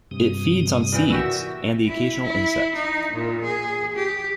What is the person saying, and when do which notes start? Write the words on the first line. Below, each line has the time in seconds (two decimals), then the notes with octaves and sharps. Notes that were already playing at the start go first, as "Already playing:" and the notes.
It feeds on seeds and the occasional insect.
0.11 G2 C3 D#6
0.92 A#2 E3 G5
1.10 E4 F#4 G4 E6
1.88 E4
2.23 E4
2.76 D#4
3.14 A#2
3.44 G#4
3.96 G4